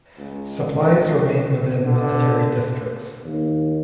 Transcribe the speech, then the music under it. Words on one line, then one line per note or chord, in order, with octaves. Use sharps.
Supplies remained within military districts.
C#2
D3
D#2